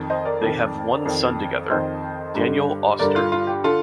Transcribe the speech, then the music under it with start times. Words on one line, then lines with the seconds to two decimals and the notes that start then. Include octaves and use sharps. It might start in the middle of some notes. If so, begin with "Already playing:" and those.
They have one son together, Daniel Auster.
Already playing: F2 D#3
0.10 C5 D#5
0.25 A#4 D5
0.41 F2 D#3
1.05 F2 D#3
1.70 F2 D#3 C5 D#5
2.35 G2 D3
2.99 G2 D3 A#4 D5
3.16 F4
3.32 F4
3.47 G4
3.64 D3 F4 A4